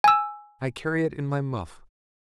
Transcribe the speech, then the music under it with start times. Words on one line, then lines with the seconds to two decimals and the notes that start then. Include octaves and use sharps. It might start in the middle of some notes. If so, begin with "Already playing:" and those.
I carry it in my muff.
0.04 G#5 E6